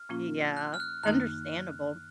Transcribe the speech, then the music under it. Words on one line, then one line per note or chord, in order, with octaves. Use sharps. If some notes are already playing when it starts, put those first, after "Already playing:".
Yeah, understandable.
Already playing: F6
A#2 F3 A#3 C#4 F4
F#6
F6
F#6
F#2 D#3 A#3 D#4 F#6